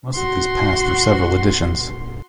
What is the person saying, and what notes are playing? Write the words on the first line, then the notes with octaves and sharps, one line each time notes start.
Most of these passed through several editions.
F#4 C6